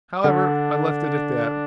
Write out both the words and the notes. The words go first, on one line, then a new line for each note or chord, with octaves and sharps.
However, I left it at that.
D3 D4